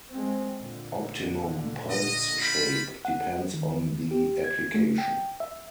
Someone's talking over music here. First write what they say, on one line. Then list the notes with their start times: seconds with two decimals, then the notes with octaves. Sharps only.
Optimum pulse shape depends on the application.
0.11 G#3 C4
0.58 A#2 D3
1.90 D#5
2.41 C4 F4 B5
3.05 F#5
3.54 D#3
4.11 G4
4.44 G#6
4.74 A3
4.98 G5
5.40 E5